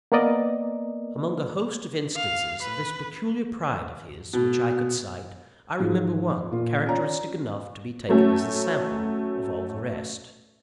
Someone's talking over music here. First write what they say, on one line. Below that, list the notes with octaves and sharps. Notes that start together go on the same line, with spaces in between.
Among a host of instances of this peculiar pride of his which I could cite, I remember one, characteristic enough to be taken as a sample of all the rest.
A#3 B3 A#4 D5 D#5
F5
B4
B2
G#2 F3
A#2 F4
C#4 F4 D5 A#5
F#3 A3 C#4